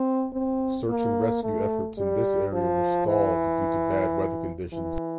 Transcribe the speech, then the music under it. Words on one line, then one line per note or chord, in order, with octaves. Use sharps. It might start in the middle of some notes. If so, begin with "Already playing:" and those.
Search and rescue efforts in this area were stalled due to bad weather conditions.
Already playing: C4
C4
A#3
A3
G3
F3
E3
E3